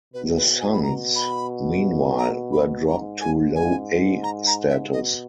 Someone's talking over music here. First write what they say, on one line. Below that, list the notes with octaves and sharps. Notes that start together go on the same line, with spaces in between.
The Suns, meanwhile, were dropped to Low-A status.
B2 B4
B4
G#5
B5
A#5
B5
A#5
B5
G#2 A#5
G#5
G#2 G#5
A#5
A#5
E5
B2 D#5